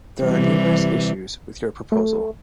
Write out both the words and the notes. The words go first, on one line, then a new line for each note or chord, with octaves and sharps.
There are numerous issues with your proposal.
C3 E3 G3
A3